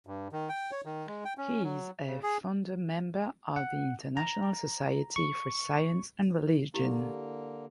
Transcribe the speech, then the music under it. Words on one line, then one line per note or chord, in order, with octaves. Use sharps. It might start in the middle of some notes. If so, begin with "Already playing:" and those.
He is a founder member of the International Society for Science and Religion.
G2
D#3
G5
C#5
D#3
G#3
G5
C#4
F#3
C#3
G#4
F#5
A#5
C#6
D3 A#3 E4 G4